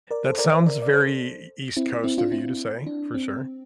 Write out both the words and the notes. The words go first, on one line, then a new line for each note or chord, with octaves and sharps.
That sounds very E E East Coast of you to say, for sure.
A#4 D5
A4 C5
A#4 D5
C5 E5
A#4 D5
D5
A4 C5
C4 E4
C4 E4
D4 F4
C4 E4
D4
C4